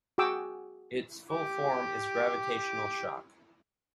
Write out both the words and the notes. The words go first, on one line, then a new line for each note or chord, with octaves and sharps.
Its full form is Gravitational Shock.
F#4 G#4 G5 D6 E6
G4 D6